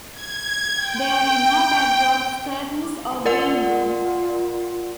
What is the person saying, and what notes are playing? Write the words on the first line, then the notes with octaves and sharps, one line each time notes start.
There are no backdrops, curtains or green-rooms.
G#6
G5
F4 A#4 D5 F#5